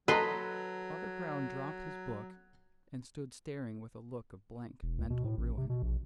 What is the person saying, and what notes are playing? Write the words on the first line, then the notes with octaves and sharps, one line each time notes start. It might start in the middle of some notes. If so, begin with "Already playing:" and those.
Father Brown dropped his book and stood staring with a look of blank mental ruin.
F#3 A4 B4 D#5 A#5 C6
E1
C#2
B2
A2
A1
C3
B2
A#1